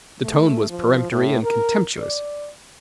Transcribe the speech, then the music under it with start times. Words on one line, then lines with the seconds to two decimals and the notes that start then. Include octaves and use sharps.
The tone was peremptory and contemptuous.
0.22 A3
0.69 F3
1.11 A2
1.43 A#4
1.99 D5